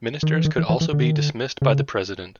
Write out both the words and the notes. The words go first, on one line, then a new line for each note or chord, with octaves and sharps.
Ministers could also be dismissed by the President.
D#3
E3
D#3
E3
E3
E3
D3
D#3
D3
C#3